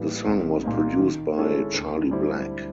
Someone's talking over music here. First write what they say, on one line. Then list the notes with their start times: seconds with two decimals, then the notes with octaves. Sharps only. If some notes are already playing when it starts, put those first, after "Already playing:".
The song was produced by Charlie Black.
Already playing: A2 E3 G3 A#3
0.26 C2
0.63 A#2 G3 A#3 D#4
0.99 D#3
1.37 G#3 C#4 E4 A4
1.74 D2
2.10 D3 G3 C4 E4